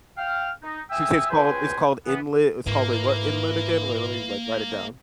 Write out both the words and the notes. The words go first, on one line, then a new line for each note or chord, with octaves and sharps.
So, you say it's called it's called inlet it's called, like, what inlet again? Wait, let me, like, write it down.
F5 G5 F6
D#4
E5 G5 G#5 D#6 E6
C#2 B2 B4 C5 G5 G#5
E3 B3
G#2 E3 A#3